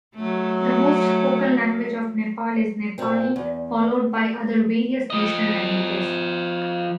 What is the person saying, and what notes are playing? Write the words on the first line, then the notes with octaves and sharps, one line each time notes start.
The most spoken language of Nepal is Nepali followed by other various national languages.
F#3 A3
A#2 C4
E2
F3 D#5